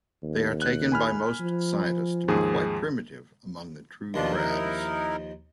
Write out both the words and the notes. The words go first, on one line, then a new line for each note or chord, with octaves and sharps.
They are taken by most scientists to be quite primitive among the true crabs.
D#2
F#6
G#5 B5 F6
F3
D#2 G#2 G#4
D#2 B2 D#3 F3 D4 F4
D#4 E4 A#4